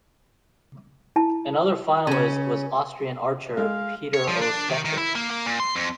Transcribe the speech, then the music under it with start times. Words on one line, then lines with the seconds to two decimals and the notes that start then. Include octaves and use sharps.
Another finalist was Austrian archer, Peter O. Stecher.
1.16 E4 A5
2.07 C#3 C#4
3.57 G#3 F5
4.14 C#5
4.28 F3
4.41 D4
4.70 D#3
4.85 D#3
4.98 E4
5.15 A#3
5.30 A#3
5.46 A#2
5.60 C6
5.76 F2